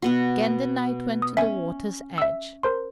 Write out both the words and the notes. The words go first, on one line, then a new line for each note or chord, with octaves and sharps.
Again the knight went to the water's edge.
B2 B3 F#4
D#6
C#4 E5 G#5
E5 E6
A#4 C5 C6